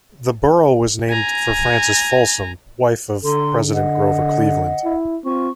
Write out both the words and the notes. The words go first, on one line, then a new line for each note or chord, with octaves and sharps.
The borough was named for Frances Folsom, wife of President Grover Cleveland.
G#5 A#5
D3 A4 A#5 C6
D#5 F#5
E4
C4 F4 C#6